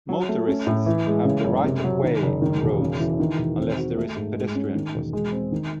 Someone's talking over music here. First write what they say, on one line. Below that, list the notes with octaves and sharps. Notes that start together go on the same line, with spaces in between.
Motorists have the right of way on roads unless there is a pedestrian crossing.
F#3
A3
C#4
A2
E3
G#3
C#3
F#1
C3
F#3
D#3
F#1
D#3
E1
C#3
E3
D#3
E1
C4
F#4
A3
G#2
G#3
C#4
D#3
E1
G#3
C4
D#3